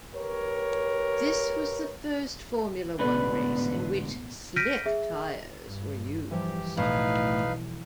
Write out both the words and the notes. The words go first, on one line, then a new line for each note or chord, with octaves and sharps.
This was the first Formula One race in which slick tyres were used.
G4 A#4 B4 C#5
A1 E2 G#2 B2 D3 B4 D5
F6 G6 A#6 B6 D7 D#7
G#4 E5
G2
E3 F3 G3 G4
B1 A2 D#4 B4 F5